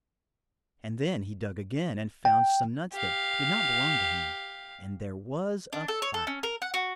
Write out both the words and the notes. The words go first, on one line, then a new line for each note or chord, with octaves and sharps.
And then he dug again and found some nuts that did not belong to him; and there was a fight.
G5
G4 F5
D4
A4
C#5
A4
C#4
A#4
F#5
F#4